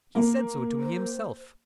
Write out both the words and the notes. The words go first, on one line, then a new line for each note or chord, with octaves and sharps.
He said so to me himself.
A#3
C5